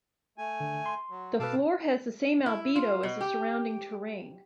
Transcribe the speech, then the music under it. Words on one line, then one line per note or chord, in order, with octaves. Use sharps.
The floor has the same albedo as the surrounding terrain.
A3 G#5
D3
C6
F#3
B2 A4 B4 F5 A5 D6
E4
F4
B2
G4